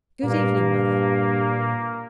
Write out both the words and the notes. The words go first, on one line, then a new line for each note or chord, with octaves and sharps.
'Good evening, Mother.'
G2 A#2 A#3